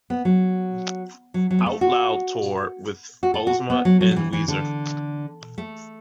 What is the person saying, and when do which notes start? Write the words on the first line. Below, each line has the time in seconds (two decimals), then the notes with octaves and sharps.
Outloud tour with Ozma and Weezer.
0.10 B3
0.25 F#3
1.34 F#3
1.51 F#3
1.59 B3
1.66 A3
1.81 F#4
3.23 F#4
3.34 A4
3.47 F#4
3.70 B3
3.85 F#3
4.01 F#3
4.11 F#3
4.16 E3
4.33 E3
4.48 D3
5.58 A3